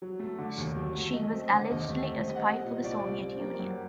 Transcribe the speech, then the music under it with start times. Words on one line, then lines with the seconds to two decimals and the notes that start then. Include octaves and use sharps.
She was allegedly a spy for the Soviet Union.
0.02 F#3
0.19 A3
0.38 D3
0.58 D#2
0.76 F#3
0.95 A3
1.14 A3 D#5
1.33 C4
1.52 D3
1.71 D#2 D#5
1.90 A3
2.08 C4
2.27 G3 D#5
2.36 F#5
2.45 C4 D#5
2.65 A#2
2.84 C2 D5
3.02 G3
3.21 C4
3.40 A#3
3.59 F#2